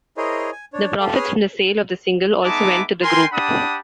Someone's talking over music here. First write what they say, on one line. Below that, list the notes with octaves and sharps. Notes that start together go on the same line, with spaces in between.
The profits from the sale of the single also went to the group.
E4 G#4 A#4 C5 C#5 D#5
G#5
D4 C#5
G4 A4 F5
G#4 B4 C#5 D#6 F6
G#3 B3 D#4 E5 A5 D6
A#4 G5 G#5 C6
D4 G4 F#5 A5 B5 D#6